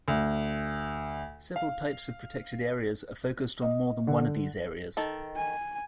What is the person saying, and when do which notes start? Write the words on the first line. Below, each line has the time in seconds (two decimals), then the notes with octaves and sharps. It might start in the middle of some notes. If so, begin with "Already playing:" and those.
Several types of protected areas are focused on more than one of these areas.
0.08 D2
1.56 F5
3.62 D#5
4.07 D3
4.97 D#3 A4
5.36 G#5